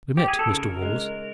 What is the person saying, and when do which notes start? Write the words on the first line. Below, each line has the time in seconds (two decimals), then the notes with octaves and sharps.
We met Mr. Woolls.
0.17 G4
0.28 G#4
0.39 A4
0.50 C#3 A#4
0.82 G#3